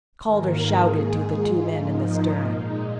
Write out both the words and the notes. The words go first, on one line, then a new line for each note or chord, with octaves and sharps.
Calder shouted to the two men in the stern.
G#2 D#3 A#3 A#4
G#4
G#2 G#3
F4
G#2 F3 A#3 D#4
A#2 G#3